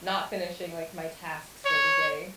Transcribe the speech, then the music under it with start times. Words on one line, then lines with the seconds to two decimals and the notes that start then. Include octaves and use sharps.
not finishing, like, my tasks for the day,
1.65 C#5